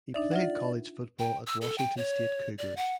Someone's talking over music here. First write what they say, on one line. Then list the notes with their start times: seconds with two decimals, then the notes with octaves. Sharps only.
He played college football at Washington State Cougars.
0.14 D4 D#4 D5 E5
0.31 F4 E5 F#5
1.19 G5
1.47 E6
1.61 A4
1.78 G5
1.97 C#5
2.58 D5
2.77 F#5